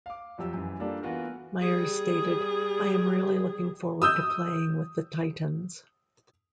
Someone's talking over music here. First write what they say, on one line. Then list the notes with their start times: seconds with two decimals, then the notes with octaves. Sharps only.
Meyers stated, I am really looking forward to playing with the Titans.
0.06 F5 D6
0.38 F2 F3 F#3 G4 E6
0.54 F#2 E3
0.79 G3 A#3 D4 F4 G4 A4
1.03 E3 B3 F4 F#4 A#4
1.61 G3 G#4
4.02 D#6 E6 G6